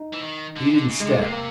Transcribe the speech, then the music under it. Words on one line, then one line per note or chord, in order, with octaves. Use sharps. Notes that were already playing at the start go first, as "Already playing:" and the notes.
He didn't step.
Already playing: D#4
E3
D#3
D3
C#3
D3
C#3
G#3
C3
A3
C3 A#3
A#3